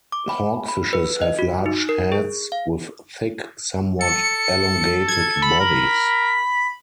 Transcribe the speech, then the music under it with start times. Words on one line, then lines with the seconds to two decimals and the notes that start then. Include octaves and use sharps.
Hawkfishes have large heads with thick, somewhat elongated bodies.
0.12 D6
0.29 B5
0.68 B5
0.93 B4
1.21 D#5
1.39 F#4
1.66 D#4
1.89 A#4
2.12 G#4
2.52 F5
4.01 A4 C#7
5.08 G#6
5.42 B5
5.60 A#4